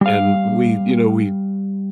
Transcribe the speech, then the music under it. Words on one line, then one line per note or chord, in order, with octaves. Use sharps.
and we, you know, we
G3 F5